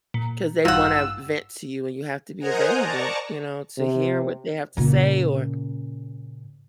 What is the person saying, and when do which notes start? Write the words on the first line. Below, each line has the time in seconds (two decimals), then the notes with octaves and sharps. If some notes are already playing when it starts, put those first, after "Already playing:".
'Cause they wanna vent to you and you have to be available, you know, to hear what they have to say or
0.14 A#2
0.65 A1 G2 D#4 F4 F#5 E6
2.39 A#4 C5 D#5 F#5 G#5 A#5
2.79 D5 A5 A#5 C#6
3.78 C3
4.77 A#2 C#3